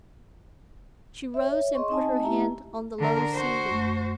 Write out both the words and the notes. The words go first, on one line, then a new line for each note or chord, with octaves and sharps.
She rose and put her hand on the low ceiling.
C#5 E5
G#4 D#5 C6 C#6
C4 D#4 D#5 G#5 A5
A3 E4 G4 E5 A#5
D3 A#4
F#4 C5
F#2 A3 C#6